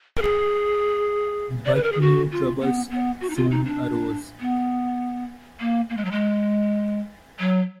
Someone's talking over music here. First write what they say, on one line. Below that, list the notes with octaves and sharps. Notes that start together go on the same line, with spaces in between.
But new troubles soon arose.
A#4
G#4
D5
B4
A#4
G#4
F#4
F4
B3
B3
F#4
D#4
F4
D#4
D4
B3
A#3
A#3
G#3
F#3
G#3
F#3